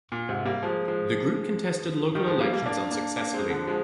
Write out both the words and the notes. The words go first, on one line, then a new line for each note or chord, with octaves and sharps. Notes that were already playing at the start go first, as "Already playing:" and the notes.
The group contested local elections unsuccessfully.
A#2
G#2 C3
G3 A#3
F3 G#3
F3 G#3
D#3 G3
F3 G#3
G3 A#3
G3 A#3
A#3 D4
A#3 D4
A#3 D4
G#3 C4
D3 F3
F3 G#3